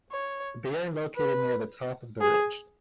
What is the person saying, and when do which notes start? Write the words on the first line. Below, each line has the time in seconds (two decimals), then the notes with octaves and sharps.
They are located near the top of the ridge.
0.11 C#5
1.16 B4
2.21 G#4